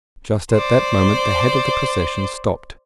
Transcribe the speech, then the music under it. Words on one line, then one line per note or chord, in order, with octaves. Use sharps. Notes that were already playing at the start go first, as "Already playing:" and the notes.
Just at that moment the head of the procession stopped.
C5 D5